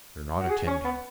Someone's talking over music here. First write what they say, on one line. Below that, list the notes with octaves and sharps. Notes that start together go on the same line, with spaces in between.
You're not attending.
F#4
G#4
C#4
B3